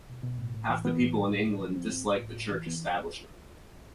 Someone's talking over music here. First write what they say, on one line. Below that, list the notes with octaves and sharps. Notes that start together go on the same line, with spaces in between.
Half the people in England dislike the church establishment.
B2
B2
A2
A2
E3
E3 B3
A2
A2
A2
A2
F3
F3 C4
A2
A2
A2
A2
E3
E3 B3